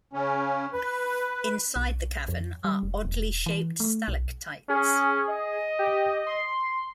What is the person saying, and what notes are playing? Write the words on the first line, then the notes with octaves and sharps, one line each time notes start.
Inside the cavern are oddly-shaped stalactites.
C#3 C#4
B4
B1
F2
G3
F1
E1
E3
A3
B1
C#4 G#4
D#5
G4
C6